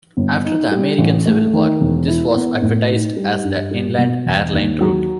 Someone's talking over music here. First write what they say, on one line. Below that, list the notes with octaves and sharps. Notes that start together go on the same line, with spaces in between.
After the American Civil War, this was advertised as the Inland Air-Line Route.
G1
D#4
G3
A1
A3
D#3
E1
E4
B3
A2
D#4
G3
G2
G3
B2
E1
D#2
F#3